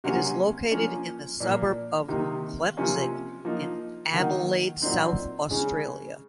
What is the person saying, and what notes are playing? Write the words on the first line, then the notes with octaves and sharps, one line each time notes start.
It is located in the suburb of Klemzig in Adelaide, South Australia.
C3 F#3 A#3 C#4
F3 A#3 C#4
A#2 F3 A#3
C3 D#3 A#3 D#4
C3 F3 A#3 C#4
F3 A#3 D#4
D#3 F#3 A#3 D#4
A#2 F#3 C4 D#4
C#3 G#3 C#4